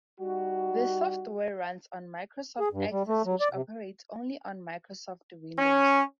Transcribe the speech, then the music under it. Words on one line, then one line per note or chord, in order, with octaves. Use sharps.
The software runs on Microsoft Access which operates only on Microsoft Windows.
G3 D#4 F#4
G#4
G2
G3
A3
F#3
D5
C3
C#4